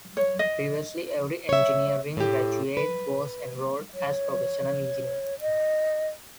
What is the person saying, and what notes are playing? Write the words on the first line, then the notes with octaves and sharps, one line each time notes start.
Previously every engineering graduate was enrolled as professional engineer.
C#5
D#5
C#5 E5
A2 G4
B4
C#5
D#5